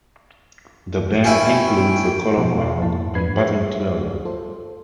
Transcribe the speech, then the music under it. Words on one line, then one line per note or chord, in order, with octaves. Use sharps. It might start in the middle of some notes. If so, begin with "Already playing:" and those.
The band includes the Colorguard and Batton Twirler.
D#3 C#4 E4 G5
B2 F3 B3
F2 G#2 A#3 E4 A5
G#2 D4 B4 B5 G#6 C7
G4 G#4 C5 C#5 E5
F4 A4 C5